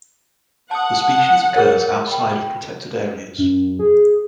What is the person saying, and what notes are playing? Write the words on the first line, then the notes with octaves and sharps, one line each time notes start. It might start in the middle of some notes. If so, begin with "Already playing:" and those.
The species occurs outside of protected areas.
F#5 A5 D#6
G#4 A#4 C#5
G5 B5
F#2
G#4